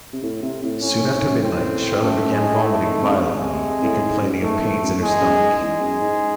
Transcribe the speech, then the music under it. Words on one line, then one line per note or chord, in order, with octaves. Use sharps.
Soon after midnight, Charlotte began vomiting violently and complaining of pains in her stomach.
C3
A2
C3
A2
A2 C#4
G#2
F#2
A2 C4
F#2 A3
F#2
G#3
G#2
A2 A3
D#3
C3
C#3
C3 G#3
A2
G#2
G#2
F#2
G#2 A3
E2
F#2
E2 G#3
F#2
G#2
E2 G#3
F#2
G#2